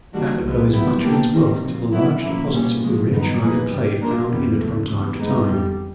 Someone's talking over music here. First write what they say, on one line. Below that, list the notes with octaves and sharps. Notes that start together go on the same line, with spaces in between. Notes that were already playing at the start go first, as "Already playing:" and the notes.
Stafford owes much of its wealth to the large deposits of the rare china clay found in it from time to time.
D#3 G3 A#3 D4 F#4
C2 C3 F3 G#3 B3
A#2 F#3 B3 E4 G4
B2 G3 A#3 D4 G4
C3 D#3 G3
D2 C3 F3
D#3 F#3 B3 E4
A#2 F3 A#3 C#4 E4
B2 G3 A#3 C#4
A#2 F3 G#3
G2 D#3 F#3 B3 D#4
F3 A#3 D#4 G#4 B4
G2 D#3 G3
F3 A#3 D4 F4 A#4
F2 C#3 E3 G3 B3
D2 C#3 F3 A3
E3 G3 B3
G2 E3 G#3 B3 D#4
F2 D3 G3